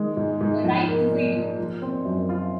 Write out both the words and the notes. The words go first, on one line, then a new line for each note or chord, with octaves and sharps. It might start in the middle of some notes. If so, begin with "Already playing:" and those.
A right to freedom.
Already playing: D#3 G#3
G#2
G#2
F3
A#3
A#2
A#2
F3
C4
F#2
F4